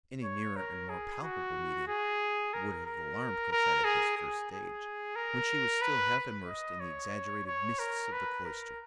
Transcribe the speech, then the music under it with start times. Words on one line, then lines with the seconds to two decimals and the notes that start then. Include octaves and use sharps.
Any nearer and more palpable meeting would have alarmed Cosette at this first stage, when she was still half immersed in the exaggerated mists of the cloister.
0.23 C#5
0.56 A#4
0.89 G#4
1.22 F#4
1.88 G#4
2.54 A#4
2.86 A#4
3.52 A#4
3.84 G#4
4.18 G#4
4.51 G#4
5.16 A#4
5.82 B4
6.48 D#5
6.80 C#5
7.46 C#5
7.79 A#4
8.12 B4
8.45 A#4